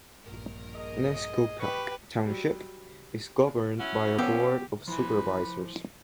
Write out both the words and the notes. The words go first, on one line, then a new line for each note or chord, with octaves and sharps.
Nescopeck Township is governed by a board of supervisors.
A#1 G2 A#4
G#4 D#5
G4 B4 D#5 B5 C#6
F#3 G3
C#4 E4 F#4
F3 B3 C#4 G4 A4
F3 E4 B4 G#5 C6